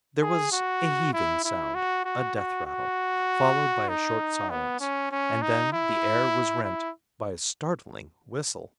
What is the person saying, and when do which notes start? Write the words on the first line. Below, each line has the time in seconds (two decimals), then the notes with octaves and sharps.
There was a heaving sound, a death-rattle, followed by a short silence; and then the air was rent by a startling whistle.
0.22 G#4
0.52 F#4
1.13 E4
1.44 E4
1.75 F#4
2.04 F#4
2.36 F#4
2.66 F#4
3.89 D#4
4.50 B3
4.80 C#4
5.11 C#4
5.42 D#4
5.73 E4
6.63 E4